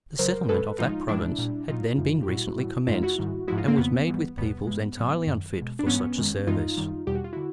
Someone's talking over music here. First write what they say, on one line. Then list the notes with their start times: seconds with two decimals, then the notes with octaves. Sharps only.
The settlement of that province had then been recently commenced, and was made with people entirely unfit for such a service.
0.19 F2 C#3 F#3 A#4 C5
0.49 B2 G#3 A4 B4
0.78 A2 F3 G#3 D#4 F4
1.08 A2 F3 G#3 D4 E4
1.38 A#2 G3
1.68 A#2 F#3 D#4 F4
1.98 F#2 C#3 F3 G#3
2.23 G4
2.28 A#2 G3 E4 F#4
2.58 A2 E3 G3
2.87 F#2 C#3 E3 G#3 D#4 F4
3.03 E4 F#4
3.18 G#2 D#3 G3
3.47 G#2 F3 G#3 E4 F#4
3.58 D#4 F4
3.68 A#3 C4
3.77 F2 C#3 F3 B3
4.07 G#2 E3 G3
4.37 E2 B2 G3 B3
4.67 G2 E3 G#3
4.97 A2 F#3 B3
5.27 F#2 D#3 F#3
5.57 G#3
5.62 B2
5.79 D4
5.86 G#2 E3 G3 B3 C#4
6.17 F#2 D#3 G#3
6.47 G2 E3 G#3 D#4 F4
6.77 F#2 D#3 G3
7.07 E2 B2 G3 G4
7.15 F#4
7.24 F4
7.33 D3 E4 F#4